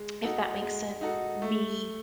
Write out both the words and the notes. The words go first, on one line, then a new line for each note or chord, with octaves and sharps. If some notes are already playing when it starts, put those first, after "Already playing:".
if that makes sense. Me,
Already playing: G#3
D#4 F#4 A4
G#3
D#4 F#4 A4
A3